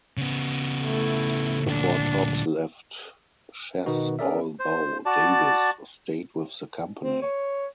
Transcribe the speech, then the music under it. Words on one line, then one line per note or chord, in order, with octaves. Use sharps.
The Four Tops left Chess although Davis stayed with the company.
C#3 B3
A3 E4
D2 A#2 D4
B2 D#3 B3 D#4 F#4
C#4 G#4 A#4 D5 E5
C5
F#4 D5 A5
C4
C#5